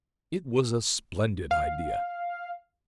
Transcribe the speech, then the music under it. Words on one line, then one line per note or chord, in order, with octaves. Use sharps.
It was a splendid idea!
F5